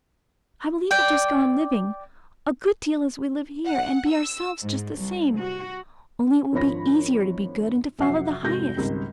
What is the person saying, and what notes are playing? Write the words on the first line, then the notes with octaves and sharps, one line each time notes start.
I believe we'll just go on living, a good deal as we live here--and be OURSELVES just the same--only it will be easier to be good and to--follow the highest.
D5 G5
F#5
E6
G#2
C2
F#4
G#1 F3 D4 C#5 B5 A#6
F2 C3 F#3 E5 F#5 C7
F1 G#2 F#4 G6 A#6
G#1 C#2 G3